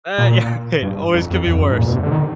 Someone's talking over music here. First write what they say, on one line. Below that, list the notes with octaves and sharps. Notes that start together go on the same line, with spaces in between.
Uh, yeah. Hey, it always could be worse.
A#2
G2
F2
F2
E2
F2
F#2
G#2
A#2
B2
C3
D3
D#3